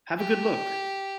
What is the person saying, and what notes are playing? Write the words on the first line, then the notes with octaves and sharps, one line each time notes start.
Have a good look.
G4